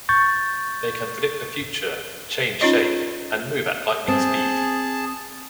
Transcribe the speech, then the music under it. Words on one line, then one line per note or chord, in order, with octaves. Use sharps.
They can predict the future, change shape, and move at lightning speed.
C#6 G6 A6
C#4 D#4 F4 C#5 D#5
C4 G#4 A5